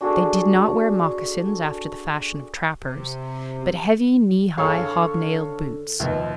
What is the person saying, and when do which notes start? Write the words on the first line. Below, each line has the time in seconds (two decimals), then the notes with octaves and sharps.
They did not wear moccasins after the fashion of trappers, but heavy, knee-high, hobnailed boots.
0.01 D4 F#4 G#4 A4
2.81 C3
4.57 G#4 A4 C#5 F5
4.75 D3
6.00 D#2 B2 F3 E5